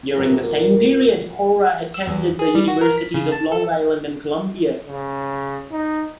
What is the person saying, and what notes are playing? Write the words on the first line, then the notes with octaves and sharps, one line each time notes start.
During the same period, Kaura attended the universities of Long Island and Columbia.
D#1 A#3 B3 D4 F#4 A#6
E6
E2
G#4
G3
F#4
A#4
B6
C#3
A5
A4
C#3
D#4